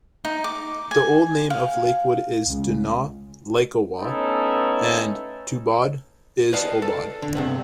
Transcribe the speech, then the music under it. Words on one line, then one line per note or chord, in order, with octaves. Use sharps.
The old name of Lakewood is Danaw Likowai and Tubod is Obod.
D#4
D6
G#5
F5
C#2
A3 B3 C#4 D#4 E4 A4
B4 D5 D#5 F5 A5
A4
D3
G2 C3 B3